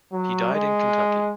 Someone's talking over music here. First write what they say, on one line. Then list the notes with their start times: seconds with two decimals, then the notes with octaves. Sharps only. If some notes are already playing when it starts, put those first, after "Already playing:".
He died in Kentucky.
0.12 F#3
0.51 G#3